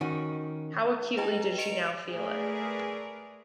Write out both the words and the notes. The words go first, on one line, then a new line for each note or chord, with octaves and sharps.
How acutely did she now feel it!
D#3 C#4 F#4
B4 D#5 G5 A#5
D#5 C#7 D7 F7
A3 G#4 A#4 B4 D5